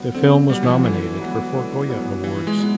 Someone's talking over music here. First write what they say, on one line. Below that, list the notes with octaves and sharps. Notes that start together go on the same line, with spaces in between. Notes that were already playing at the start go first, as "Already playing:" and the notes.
The film was nominated for four Goya Awards.
Already playing: D3 F#3 B3
D3 C4
F#3 G3 B3
E3
F3
D3 E3
F#3 B3
D3
F#3 B3
A#2 E3
G#3
F#3 B3 E4